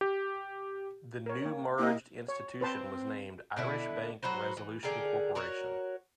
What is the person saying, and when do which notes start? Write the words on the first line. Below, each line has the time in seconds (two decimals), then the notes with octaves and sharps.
The new merged institution was named Irish Bank Resolution Corporation.
0.01 G4
1.26 A#4 C#5
1.42 A#3 C#5
1.79 A#3 E4 G4 D#5
2.28 C#5
2.61 C4 B4 C5 A5
3.56 B2 D3 E4
4.23 F#3 F#4 B4 C5
4.57 E3
4.83 D3 G#4 A#4 G5
5.35 F#4 A#4 C#5